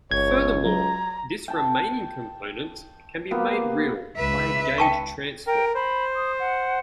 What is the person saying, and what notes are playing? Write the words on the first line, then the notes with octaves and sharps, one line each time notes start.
Furthermore, this remaining component can be made real by a gauge transform.
G1 C#2 C#5 G#6
F#3 A#5
G5 A5
A#3 B3 G4
C#2 B4 E5
G5 A5 C#6
A#4 G5
C5 B5
D#6
F#5